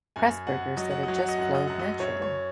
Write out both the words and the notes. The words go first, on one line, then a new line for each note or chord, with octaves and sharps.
Pressburger said it just flowed naturally.
F#2 G#5
F#2 F#5
F#3 D#5
F#5
F#3 D#5
F#5
D#5
F#2 F#5
D#5
F#2 F#5
D#5
F#2 C#5
C#5